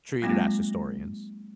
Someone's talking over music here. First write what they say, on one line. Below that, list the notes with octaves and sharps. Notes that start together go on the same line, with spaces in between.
treated as historians.
F#3 G#3 A#3 C4 F4